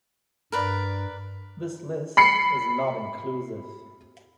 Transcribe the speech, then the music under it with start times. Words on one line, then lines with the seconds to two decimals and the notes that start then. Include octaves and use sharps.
This list is not inclusive.
0.52 G2 A#4 B4 D5
2.17 B5 C7 C#7